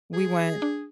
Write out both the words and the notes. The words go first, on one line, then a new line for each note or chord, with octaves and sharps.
We went
G#4
D4